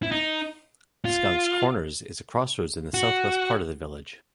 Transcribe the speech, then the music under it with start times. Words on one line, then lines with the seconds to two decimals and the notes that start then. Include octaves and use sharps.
Skunks Corners is a crossroads in the southwest part of the village.
0.03 E4
0.12 D#4
1.05 F4
2.94 F#4